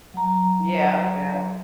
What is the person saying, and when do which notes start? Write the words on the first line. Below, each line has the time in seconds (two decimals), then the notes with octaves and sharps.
Yeah yeah.
0.14 F#3 A#5